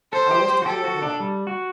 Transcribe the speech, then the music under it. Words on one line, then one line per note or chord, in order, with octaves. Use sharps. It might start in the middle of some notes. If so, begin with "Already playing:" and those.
I was to go abroad.
A4 C5
G4
G4
F#4
G4 A4
F#4
D4
G3
F#4